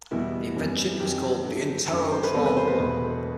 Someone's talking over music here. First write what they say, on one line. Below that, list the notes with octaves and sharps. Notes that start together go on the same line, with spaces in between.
The invention is called the Interrotron.
E2 B2 G3 B3 E4
F#2 E3 G3 C4
F#2 D#3 F#3 C4 G4
G2 F#3 A3
G1 F#2 D#3 A3
C5
B4
E2 C3 D#3 G3 B3 A4
B4
C5
B4
E1 E2 B2 A3